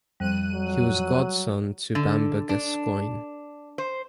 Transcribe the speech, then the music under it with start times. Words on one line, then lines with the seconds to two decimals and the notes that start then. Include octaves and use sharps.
He was godson to Bamber Gascoyne.
0.20 F2 G3 F#6 D#7
0.54 F#3
1.95 D3
2.49 D4
3.78 C5